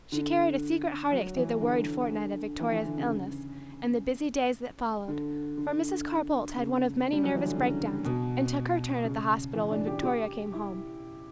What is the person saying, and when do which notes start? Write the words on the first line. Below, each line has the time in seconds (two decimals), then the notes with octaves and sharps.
She carried a secret heartache through the worried fortnight of Victoria's illness, and the busy days that followed; for Mrs. Carr-Boldt had one of many nervous break-downs, and took her turn at the hospital when Victoria came home.
0.12 D3
1.11 F#3
1.37 E3
1.61 D3
2.11 D3
2.59 E3
2.72 E3
2.85 D3
2.97 C#3
5.08 D3
5.57 D3
6.57 C#3
7.12 G3
7.24 F#3
7.35 E3
7.45 D3
7.56 C#3
8.05 B2
9.04 C#3
9.54 E3
9.71 D4
9.87 G4
10.03 G4
10.53 E4